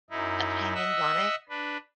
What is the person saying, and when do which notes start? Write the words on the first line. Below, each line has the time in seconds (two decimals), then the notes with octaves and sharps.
Opinions on it.
0.10 F#2 D#4 E4
0.74 D#5 E5 F#5 E6
1.49 D4 B4